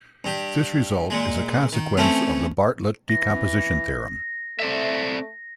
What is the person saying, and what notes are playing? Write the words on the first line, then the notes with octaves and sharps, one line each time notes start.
This result is a consequence of the Bartlett decomposition theorem.
G2 G4
A#2 G#3
D#3
E3 A3 C4 C#4
E3 A#6
A3 C4 D5 E5